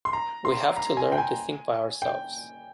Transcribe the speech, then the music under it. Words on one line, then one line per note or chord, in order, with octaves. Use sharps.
We have to learn to think by ourselves.
C6
A#5
C6
A#5
G#5
G5
G#5
G5